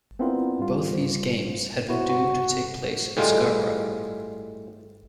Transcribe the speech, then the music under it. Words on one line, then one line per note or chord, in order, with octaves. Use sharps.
Both these games had been due to take place at Scarborough.
B3 C4 D4 E4 F4 A#4
G#2 G3 F4
B3 E4 F#4 C5 C#5
C3 F#4
A2 G3 G#3 F4